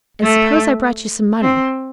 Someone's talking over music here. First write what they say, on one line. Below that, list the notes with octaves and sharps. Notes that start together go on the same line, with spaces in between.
"And suppose I brought you some money?"
A3
C4